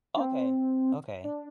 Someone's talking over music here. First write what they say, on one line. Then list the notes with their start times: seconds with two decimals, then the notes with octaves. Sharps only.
Okay, okay.
0.16 D4
0.21 C4
1.24 D4